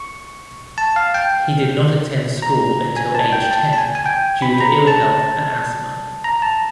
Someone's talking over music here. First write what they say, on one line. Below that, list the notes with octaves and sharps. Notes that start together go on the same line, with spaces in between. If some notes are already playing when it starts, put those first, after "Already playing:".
He did not attend school until age ten due to ill health and asthma.
Already playing: C#6
A5
F5
G5
A#5
G#5
A5
G5
A5
A5
G#5
G#5
G5
B5
A#5
A5
A#5
A5